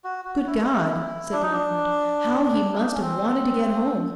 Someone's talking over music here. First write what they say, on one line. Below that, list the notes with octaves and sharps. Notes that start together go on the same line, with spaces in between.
Good God!' said Lawford, 'how he must have wanted to get home!
F#4
F#4
E4
D4
D#4
D4
E4
D#4
D4
C#4
C4